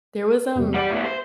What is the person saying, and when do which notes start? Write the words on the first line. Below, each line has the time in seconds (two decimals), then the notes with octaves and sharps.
There was, um
0.55 E2 C3 G3
0.74 G3 D5 F#5 B5 F#7
0.90 A2 B3 E5
1.05 C5